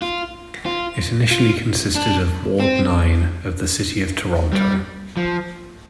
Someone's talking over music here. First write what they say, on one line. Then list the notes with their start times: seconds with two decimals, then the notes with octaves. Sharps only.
It initially consisted of Ward Nine of the city of Toronto.
0.02 F4
0.66 F4
1.31 F4
1.95 D4
2.60 C4
4.53 G3
5.17 F3